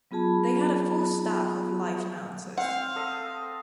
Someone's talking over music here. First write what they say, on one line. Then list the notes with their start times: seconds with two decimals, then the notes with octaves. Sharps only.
They had a full staff of live announcers.
0.11 F#3 B3 F4 G#4 A5 B5
2.58 C4 C5 F5 F#5
2.96 A4 D#5 E5